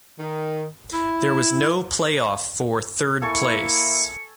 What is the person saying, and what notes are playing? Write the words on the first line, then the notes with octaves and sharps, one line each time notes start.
There was no playoff for third place.
D#3
E4
A#3 E4 A4 G#5 C#6 C#7